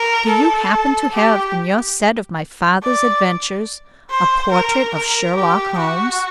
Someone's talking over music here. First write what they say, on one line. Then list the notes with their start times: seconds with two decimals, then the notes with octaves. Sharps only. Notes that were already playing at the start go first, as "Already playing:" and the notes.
"Do you happen to have in your set of my father's adventures a portrait of Sherlock Holmes?"
Already playing: A#4
0.29 A4
1.13 G4
2.83 D5
4.10 C5
4.52 A#4
4.94 A#4
5.36 G4
5.78 F#4